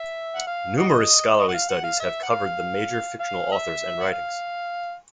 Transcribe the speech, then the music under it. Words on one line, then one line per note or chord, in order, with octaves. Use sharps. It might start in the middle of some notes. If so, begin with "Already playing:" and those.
Numerous scholarly studies have covered the major fictional authors and writings.
Already playing: E5
F#5
F5
F#4 D#5
D#5
F#5
F5
F#5
F5
E5
F#5
F5
F5
E5
F#5
F5